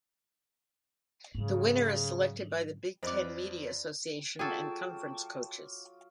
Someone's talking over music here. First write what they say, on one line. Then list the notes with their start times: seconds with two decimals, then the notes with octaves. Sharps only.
The winner is selected by the Big Ten media association and conference coaches.
1.35 G#2 C#3 F#3
3.03 F2 F4 B4 C5 D5 D#5 D6
4.39 F#3 F4 G#4 A4 G5 A5 D6